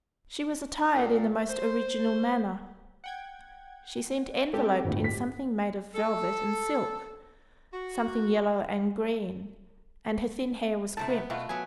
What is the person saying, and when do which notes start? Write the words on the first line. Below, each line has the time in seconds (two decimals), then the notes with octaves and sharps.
She was attired in the most original manner; she seemed enveloped in something made of velvet and silk, something yellow and green, and her thin hair was crimped.
0.95 A#2
1.49 C5
3.04 F#5 G5 G#6
4.53 G#3 C4 G4 A4
4.84 G1 D2 A2
5.04 B6
5.95 A4
7.73 F#4
10.97 A2 C3 A3 A5
11.09 B3
11.30 B2 A3 F4 F#4
11.49 F#3 B3 G#5